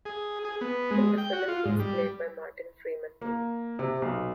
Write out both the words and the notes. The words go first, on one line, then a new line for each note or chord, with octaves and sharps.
In the film he is played by Martin Freeman.
G#4
G#4
B3
G#3
G5
F#4
F4
G#2
G3
A#3
C3
B1